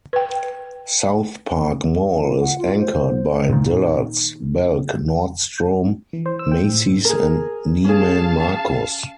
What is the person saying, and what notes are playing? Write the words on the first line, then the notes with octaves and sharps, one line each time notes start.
SouthPark Mall is anchored by Dillard's, Belk, Nordstrom, Macy's and Neiman Marcus.
B4 G5
F4
F#5
F4
C5
A#2 D#3
E3
C5
E6
G5
A2
G#4 A#4
C#4 G#4 F5 A5